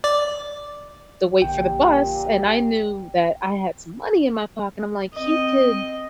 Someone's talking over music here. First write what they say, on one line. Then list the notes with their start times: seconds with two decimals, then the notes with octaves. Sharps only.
the wait for the bus and I knew that I had some money in my pocket, I'm like, "He could
0.04 D5
1.42 A#1 A#2 D3 G4 G5
5.14 C4 D#5